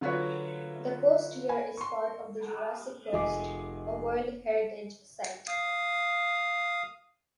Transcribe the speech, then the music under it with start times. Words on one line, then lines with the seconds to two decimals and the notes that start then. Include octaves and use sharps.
The coast here is part of the Jurassic Coast, a World Heritage Site.
0.01 D3 F#3 F4 F#4 B4 C#5
1.49 G#5 B5
1.77 C6 C#6
3.13 F1 G#4 D#5 D6
5.48 F5 D#6